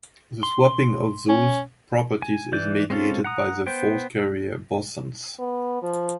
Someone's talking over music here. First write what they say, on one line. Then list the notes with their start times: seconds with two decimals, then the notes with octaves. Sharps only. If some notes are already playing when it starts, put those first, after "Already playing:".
The swapping of those properties is mediated by the force carrier bosons.
0.43 C6
1.29 C#4
2.22 G#5
2.52 E3 D5 G6
2.90 G#3 C4 C#4 F4 A4
3.24 F#5 A#5 D#6
3.67 B3 C5 G5
5.39 B3
5.83 F3